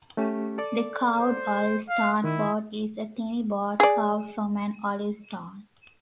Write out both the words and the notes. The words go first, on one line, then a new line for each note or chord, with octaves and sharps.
The "Carved Olive-stone Boat" is a tiny boat carved from an olive stone.
A3 C#4 G4
A4 D5 D6
C5
F5
D#3 E4
G#4 D5